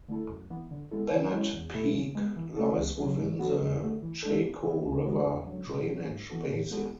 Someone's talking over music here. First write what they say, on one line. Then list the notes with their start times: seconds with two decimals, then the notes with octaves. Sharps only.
Bennett Peak lies within the Chaco River drainage basin.
0.08 D3 A3 E4 A4
0.29 F#2
0.50 E3 B3
0.71 D3
0.91 G#3 B3 E4 A4
1.12 E3
1.32 G#3 C#4 E4
1.53 E2
1.74 B2 A3 E4 A4
1.95 C#3
2.15 G#3 B3
2.36 E3
2.57 A3 C#4 F#4 A4
2.78 C#2
2.98 C#3 F#3 C#4 G#4
3.19 G#2
3.39 F#3 B3 F#4 A4
3.61 E2
3.81 D3 A3
4.03 E3
4.23 G#3 D4 A4
4.43 E3
4.64 B3 E4
4.85 D2
5.06 D3 G#3 B3 F#4
5.26 E2
5.47 D3 F#3
5.67 B2
5.88 F#3 C#4
6.09 G#2
6.30 E3 B3 F#4 A4
6.50 A2
6.71 G#3 B3 F#4 A4